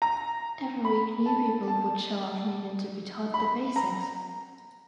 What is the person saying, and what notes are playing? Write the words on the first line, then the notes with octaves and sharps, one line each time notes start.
Every week new people would show up needing to be taught the basics.
A#5
B5
A5
A5
B5
A#5